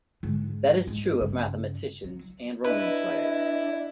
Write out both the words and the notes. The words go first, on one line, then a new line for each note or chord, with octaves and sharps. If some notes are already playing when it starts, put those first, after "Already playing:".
That is true of mathematicians and romance writers.
G#2 D3
G#2
G2 C#3
F#3
D4 E4 B4 D#5